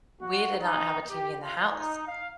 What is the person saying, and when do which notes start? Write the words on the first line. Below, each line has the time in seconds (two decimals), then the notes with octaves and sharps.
we did not have a TV in the house.
0.21 F#4
0.61 D#4
1.09 G4
1.41 F4
1.71 D#4
2.07 F5